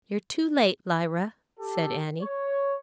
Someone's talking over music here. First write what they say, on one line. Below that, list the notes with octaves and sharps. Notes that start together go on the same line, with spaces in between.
"You're too late, Lyra," said Annie.
G4 A4
C#5